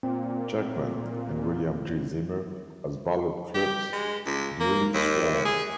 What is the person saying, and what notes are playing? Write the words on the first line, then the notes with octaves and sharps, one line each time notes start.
Jackman and William G. Ziemer as ballot clerks, duly sworn.
A#2 C4
G4
G#3
C#2
A#3
D#2
G#4